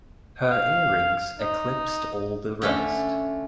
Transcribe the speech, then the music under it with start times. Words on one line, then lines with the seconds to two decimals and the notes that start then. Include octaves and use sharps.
Her earrings eclipsed all the rest.
0.51 F5
1.40 D#4
2.62 D3 A3 C#4